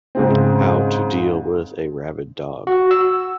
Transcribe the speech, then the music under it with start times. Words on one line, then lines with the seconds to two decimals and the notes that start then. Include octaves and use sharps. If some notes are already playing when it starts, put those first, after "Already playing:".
How to deal with a rabid dog.
0.15 G#2 C#3 C4
2.67 F#4
2.91 E6